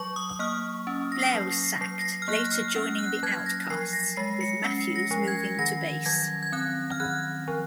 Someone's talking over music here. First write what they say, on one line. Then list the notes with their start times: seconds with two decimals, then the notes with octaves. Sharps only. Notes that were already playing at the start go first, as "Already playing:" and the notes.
Blair was sacked, later joining the Outcasts, with Matthews moving to bass.
Already playing: F#3 C#6
0.16 D#6
0.29 D#6
0.39 A#3 F6
0.87 C#4
1.12 A#6
1.19 C7
1.35 F#3
1.50 C7
1.81 F#3 C7
1.99 A#6
2.05 C7
2.22 F6
2.28 A#3 F#6
2.52 F6
2.75 C#4 F6
2.99 F#6
3.23 F#3 G#6
3.46 A#6
3.70 F3 C7
3.93 A#6
4.16 G#3 C7
4.41 C#7
4.64 C#4 C7
4.96 A#6
5.11 F3
5.28 G#6
5.59 D#3 A#6
6.06 F#3 G#6
6.43 G#6
6.52 C4 F#6
6.92 F6
7.00 D#3 F#6
7.48 F3